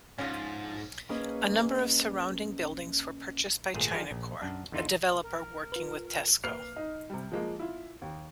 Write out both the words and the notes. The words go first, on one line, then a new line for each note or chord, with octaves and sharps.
A number of surrounding buildings were purchased by Chinacorp a developer working with Tesco.
G#2 F3 C#4 D4 F4
A#3 C#4 G#4 B4 D#5
G#1 A#2 A3 G#4
F3 D#4 F4 G4 G#4 A#4
A#1
F#2 D4
E2 D3 D#4 F4 C5
A#4
F4 B4
A#3 B4 F6 C7 F7
D#4
C3 G3
F3 G#3 A#3
E4 F4
D#2